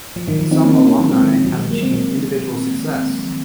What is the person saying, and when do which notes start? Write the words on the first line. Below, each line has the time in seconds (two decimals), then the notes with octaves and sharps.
Some alumni have achieved individual success.
0.16 F3
0.27 D#3 F#3
0.39 F3
0.51 C4 D#4
0.64 A#3 C#4
0.75 C4 D#4
0.87 A#3 C#4
0.99 F#3 A#3
1.10 G#3 C4
1.22 D#3
1.35 F3
1.46 D#3 F#3
1.58 F3 G#3
1.70 F#3 A#3
1.82 G#3 C4
1.93 F#3 A#3